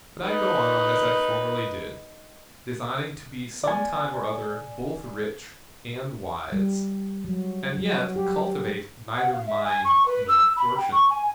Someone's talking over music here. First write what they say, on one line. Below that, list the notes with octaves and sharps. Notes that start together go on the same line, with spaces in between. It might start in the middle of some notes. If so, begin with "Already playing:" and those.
But I go on as I formerly did, designing to be some time or other both rich and wise; and yet cultivate neither mind nor fortune.
D#4 B4
D5 G#5
G3
F#3
F#3
G4
F#5
F5
E5
G#5
C#6
B4
E6
B5
G5
C#6
G#5